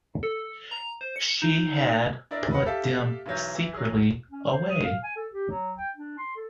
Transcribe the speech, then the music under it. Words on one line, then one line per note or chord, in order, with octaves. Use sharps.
She had put them secretly away.
A4
A#5
C5
C#7
D#4
D4 E4 A#4 D5 D#5
B4 D#5 F#5
G4 A4 E5 F5 A5
B1 E3 F#3 G6
E3
F#3 G#4
C#4
C5
D#6
F5
G#5
A4
G4
F#3
G5
D4
C6
A4